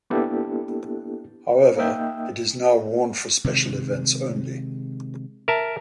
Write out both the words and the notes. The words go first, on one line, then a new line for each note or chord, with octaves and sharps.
However, it is now worn for special events only.
A#3 B3 D4 E4 G4 A4
A#3 D#4 D#5 E5 G5
C3 D#3 G#3
A#4 E5 A5